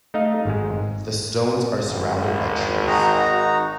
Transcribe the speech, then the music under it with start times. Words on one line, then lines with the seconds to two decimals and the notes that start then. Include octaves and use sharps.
The stones are surrounded by trees.
0.14 A3 D#4 D#5 F5
0.45 G#1 G#2 G#3
1.85 G#1
2.87 D#4 F#4 A#5